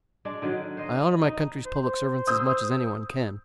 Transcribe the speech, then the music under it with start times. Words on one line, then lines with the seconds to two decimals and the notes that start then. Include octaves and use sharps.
I honor my country's public servants as much as any one can.
0.25 G#3 D4
0.42 D3 D#3 F#3
0.77 C5 D#5
1.23 D#4
1.65 C5
2.27 D#6 E6 G6